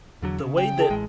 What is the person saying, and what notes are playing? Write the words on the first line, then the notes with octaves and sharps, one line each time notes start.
the way that
E2 D3 F#3
C#3
G4 D5 G5
E4 G#4 A5
A1 G#3